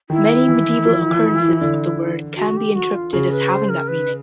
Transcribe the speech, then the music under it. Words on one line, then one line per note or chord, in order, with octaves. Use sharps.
Many medieval occurrences of the word can be interpreted as having that meaning.
D#3 E4
E3
F3
E3
E3
D3
F#4
G4
F#4
F4
C#3 F#4
B4
C5
A#4
B4